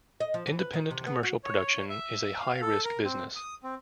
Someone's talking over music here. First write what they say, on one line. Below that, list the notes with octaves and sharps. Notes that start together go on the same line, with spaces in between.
Independent commercial production is a high risk business.
D#5
F3
E3
B4
D#3
C3
B3
F#4
C#5
E5
F5
A4
A#4
C4
D#6
C4